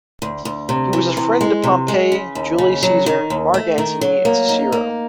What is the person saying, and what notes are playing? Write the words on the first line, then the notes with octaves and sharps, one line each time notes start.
He was a friend to Pompey, Julius Caesar, Mark Antony and Cicero.
D2
D2
C3
E3
C3
G#3
C3
G#3
C#3
D#2
C#3
F#3
D#3
D#2
A3
D#3
F#3
A#3
D#4
A#3